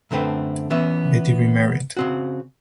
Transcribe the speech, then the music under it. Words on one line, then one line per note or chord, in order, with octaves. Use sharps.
Betty remarried.
F#2 D3 A3 C4 B4
E3 B3 C#4 E5
C#3 C4 F#4